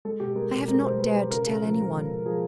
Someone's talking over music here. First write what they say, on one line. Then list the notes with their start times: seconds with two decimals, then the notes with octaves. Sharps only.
I have not dared to tell anyone.
0.05 G#3 A4
0.20 B2 G4
0.35 G#3 A#4
0.52 B2
0.68 G#3 A#4
0.83 B2 C5
0.99 G#3 B4
1.15 B2
1.30 C#3 A#4
1.46 C#3 A4
1.63 F3
1.78 G#3
1.93 C#3
2.10 C#3
2.26 F3 G#4